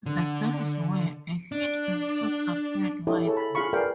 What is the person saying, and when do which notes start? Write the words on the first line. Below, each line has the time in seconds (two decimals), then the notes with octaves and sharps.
The bears were a hit and soon appeared widely.
0.06 D3
1.52 D4
3.07 E4 G4 A4 C#5 D#5
3.25 G#4 A4 C#5
3.37 B5
3.55 F4 G#4 F5 B5 C#6
3.73 G#4 A#4 B4 D5 F5 G5